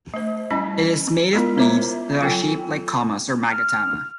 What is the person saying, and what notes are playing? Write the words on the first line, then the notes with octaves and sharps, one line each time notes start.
It is made of leaves that are shaped like commas or magatama.
A3 C5
G3 C#4 E4 A5 B5
G#3 B3 E4 F4 A#4
E4 C5 C#5 E5 A#5 D6
F#3 F4 A4 G5 G#5
F6